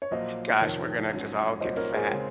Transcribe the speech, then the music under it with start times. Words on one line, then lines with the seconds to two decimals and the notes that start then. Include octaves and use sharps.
Gosh, we're gonna just all get fat.
0.02 C#5
0.11 A#1 A#2 F#3 A#3 C5 D#5
0.61 F2 C3 D#3 A#4 C#5
1.11 A#1 G#2 F#3 C#4
1.60 C2 A#2 F#3 C#4 C5 D#5
1.77 A#4 C#5
1.94 G#4 C5
2.11 C#3 G#3 C4